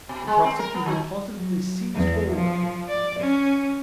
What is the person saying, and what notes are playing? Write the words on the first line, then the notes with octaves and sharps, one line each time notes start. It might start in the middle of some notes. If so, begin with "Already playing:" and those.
The prosecutor positively seized hold of him.
B2
G#3
C4
A#4
B3
D#3
F#3
E2
F3
D5
C#4